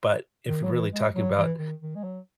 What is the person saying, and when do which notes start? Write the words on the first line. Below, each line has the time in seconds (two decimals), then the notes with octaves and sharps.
but if you're really talking about
0.49 D#3
0.63 F#3
0.71 E3
0.92 G#3
1.15 F#3
1.37 E3
1.59 D#3
1.81 D#3
1.95 G#3
2.04 F#3